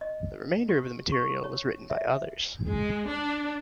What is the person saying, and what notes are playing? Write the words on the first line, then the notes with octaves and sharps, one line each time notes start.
The remainder of the material was written by others.
D#5
G4
C#6
C#5
E5
G#3
D4